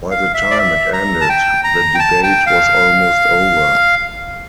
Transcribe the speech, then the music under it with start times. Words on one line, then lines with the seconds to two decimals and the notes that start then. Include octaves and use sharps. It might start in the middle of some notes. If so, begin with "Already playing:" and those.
By the time it ended, the debate was almost over.
0.11 F5
0.34 E5
0.51 D5
0.58 E5
0.93 A#5
1.21 A5
1.29 G5
1.64 A#5
1.95 G5
1.99 A5
2.23 G5
2.47 F5